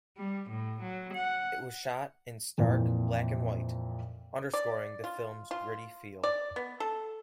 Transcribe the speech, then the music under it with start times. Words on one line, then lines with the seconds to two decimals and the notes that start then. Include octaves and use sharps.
It was shot in stark black-and-white, underscoring the film's gritty feel.
0.17 G3
0.50 A2
0.82 F#3
1.14 F#5
2.58 F2 A#2 E3
4.54 D5
5.04 F4
5.51 F4
6.24 D5
6.56 B3
6.80 A4